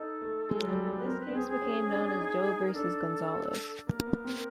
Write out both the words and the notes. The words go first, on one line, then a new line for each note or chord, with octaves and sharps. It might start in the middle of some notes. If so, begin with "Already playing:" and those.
This case became known as Doe versus Gonzales.
Already playing: D#4 A4
A3
G#3
F#3
G3
G3
B4
C4 A#4
B4
B3
C4 G#4
G#4
C#4
D4
D#4
D#4
A#4
D4 A4
A#3 A#4
B3
C4